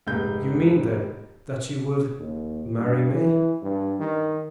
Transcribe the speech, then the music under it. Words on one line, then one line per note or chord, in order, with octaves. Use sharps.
"You mean then that you would--marry me?"
F1 G#2 G6
D#2
G2
E3
G2
D#3